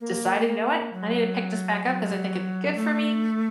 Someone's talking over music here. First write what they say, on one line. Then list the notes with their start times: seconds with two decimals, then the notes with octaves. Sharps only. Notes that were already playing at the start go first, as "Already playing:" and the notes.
decided, "You know what, I need to pick this back up 'cause I think it'd be good for me,"
0.01 A#3
0.93 F#3
1.85 F#3
2.76 A3